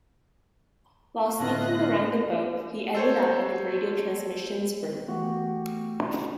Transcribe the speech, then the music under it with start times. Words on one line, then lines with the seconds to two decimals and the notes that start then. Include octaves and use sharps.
While sneaking around the boat he ended up in the radio transmissions room.
1.40 A2 D3 A3 C#4 F4 D#5 F#6 A#6
2.95 A4 C5 C#5
5.08 E3 A3 B3 F#4 G4